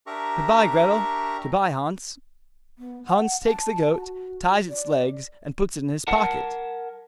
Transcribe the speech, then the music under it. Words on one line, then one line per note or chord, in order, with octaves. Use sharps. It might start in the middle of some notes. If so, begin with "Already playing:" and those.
'Goodbye, Gretel.' 'Goodbye, Hans.' Hans takes the goat, ties its legs, and puts it in his pocket.
D4 G4 A#4 E5 A#5 C#6
B3
F#5
A5
F#4
D5
A#4 F#5 A5